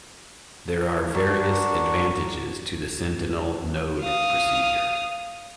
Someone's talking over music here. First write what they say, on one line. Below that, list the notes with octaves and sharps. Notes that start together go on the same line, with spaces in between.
There are various advantages to the sentinel node procedure.
D4 F#4 A#4
F5 D#6